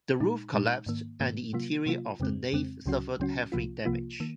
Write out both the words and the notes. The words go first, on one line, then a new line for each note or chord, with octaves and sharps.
The roof collapsed and the interior of the nave suffered heavy damage.
A#2 G#3 D#4
A#2 G#3 D#4
G#2 D#3 A#3
G#2 D#3 A#3
C3 F#3 A#3 F4
C3 F#3 A#3 F4
F2 C#3 G#3 C4
F2 C#3 G#3 C4
C#2 C#3 F#3 C#4 F#4
C#2 C#3 F#3 C#4 F#4
C2 C3 F3 A#3 F4
C2 C3 F3 A#3 F4
D#3 A#3